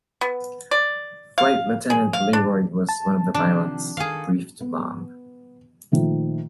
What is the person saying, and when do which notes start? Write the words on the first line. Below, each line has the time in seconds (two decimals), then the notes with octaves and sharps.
Flight Lieutenant Learoyd was one of the pilots briefed to bomb.
0.21 B3
0.71 D5
1.38 F5
1.90 G#4
2.13 F5
2.33 D4
2.89 A5
3.34 C3 D#3 F3 D4
3.97 D#3 G#4 A4 F5
4.61 B3
5.92 A#2 D#3 F3 A3